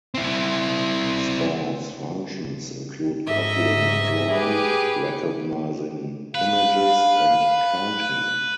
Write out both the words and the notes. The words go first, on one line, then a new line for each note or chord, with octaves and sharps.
Spaun's functions include copying a drawing, recognizing images, and counting.
C4 E4
G#2 D#5 E5
G4 G#4 B4
B4 F5